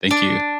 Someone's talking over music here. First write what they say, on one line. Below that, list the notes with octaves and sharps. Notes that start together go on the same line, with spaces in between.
Thank you.
D4